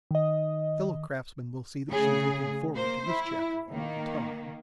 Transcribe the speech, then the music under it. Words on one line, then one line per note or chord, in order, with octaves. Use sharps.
Fellow-craftsmen will see that she is looking forward to this chapter all the time.
D#3 D#5
C#3 A3 G#4
A#3 C5
E4
D#3 A#3